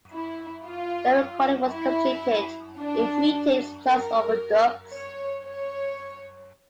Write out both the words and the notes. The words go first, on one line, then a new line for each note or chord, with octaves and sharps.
The recording was completed in three takes, plus overdubs.
E4
F4
E4
D4
A#4
C#5
C#5